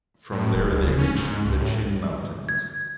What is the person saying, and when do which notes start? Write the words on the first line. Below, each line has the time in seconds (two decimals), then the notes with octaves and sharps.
From there they reached the Chin Mountains.
0.32 A2
0.54 D#1
0.70 D2
0.87 C#3
0.98 C#4
1.15 G#2
1.45 C#2
1.60 A2
2.49 G#6